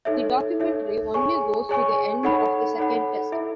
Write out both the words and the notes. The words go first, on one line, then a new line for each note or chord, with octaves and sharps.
The documentary only goes to the end of the second test.
D#4 A4 C#5 E5
D#4 A4 C#5 E5
G#4 C#5 G#5 C#6
G#4 C#5 G#5 C#6
D#4 A4 C#5 F#5 B5
D#4 A4 C#5 F#5 B5
E4 A4 E5